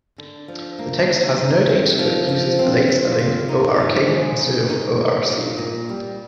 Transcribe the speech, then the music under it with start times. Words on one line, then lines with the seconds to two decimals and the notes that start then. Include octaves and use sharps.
The text has no date, but uses the late spelling "Ork" instead of "Orc".
0.18 D3
0.48 F3
0.79 A#3
1.09 D#4
1.39 D#4
1.69 C3
1.99 F3
2.29 F3
2.59 C4
2.89 F4
3.19 F4
3.49 D#4
3.79 F3
4.08 G#3
4.39 D#4
4.69 D#4
4.98 A#3
5.30 A#2
5.58 A#2
5.89 G3